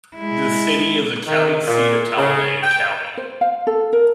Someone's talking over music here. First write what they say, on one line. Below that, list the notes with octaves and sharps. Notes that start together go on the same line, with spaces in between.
The city is the county seat of Talladega County.
G#3 E4
D#3
A#2
C#3
G5
C5
F5
A4
A#4